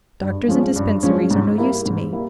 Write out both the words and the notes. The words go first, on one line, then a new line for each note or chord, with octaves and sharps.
Doctors and dispensaries are no use to me.
G2
F3 G#3 C#4
G2
F3 G#3 C#4
G#2
G3 A#3 E4
G#2
G3 A#3 E4